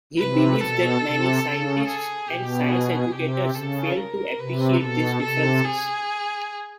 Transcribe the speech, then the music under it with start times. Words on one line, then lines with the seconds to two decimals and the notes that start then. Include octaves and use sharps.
He believes that many scientists and science educators fail to appreciate these differences.
0.17 C3 B4
0.60 B2 A4
1.02 C3
1.44 C#3
1.86 G#4
2.29 B2 G4
2.70 G#4
3.12 C3 G4
3.54 C#3 A4
3.97 A#4
4.39 C3 B4
4.80 B2 A4
5.22 C3 A4
5.65 G#4